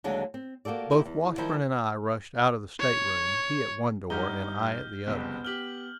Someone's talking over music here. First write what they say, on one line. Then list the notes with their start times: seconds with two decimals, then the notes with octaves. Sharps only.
Both Washburn and I rushed out of the state-room, he at one door, and I at the other.
0.04 D#2 D3 F#3 G#3 D4
0.34 C4
0.65 A#3 F#4 G4 A4 D5
0.91 D#4 E4 G4
1.05 E2
1.38 D#3 F3 G3 E4 C5
2.80 C#5
4.10 G2 D#4 G4 F#5 A#5 F6 G6 G7
5.07 F#1 C2 F2 B3
5.45 G4 F6 F#7 G7